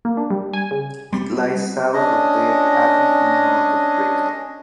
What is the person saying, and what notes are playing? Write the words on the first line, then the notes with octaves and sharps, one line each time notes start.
It lies south of Dale Abbey and north of Draycott.
A#3
D4
G3
G#5
C#3
G3
C#4 D4 D#5